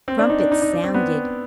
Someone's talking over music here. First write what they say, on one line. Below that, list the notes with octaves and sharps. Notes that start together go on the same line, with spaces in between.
Trumpets sounded.
C4
D4
D#4
D4
D#4
D#4
D4
C4
B3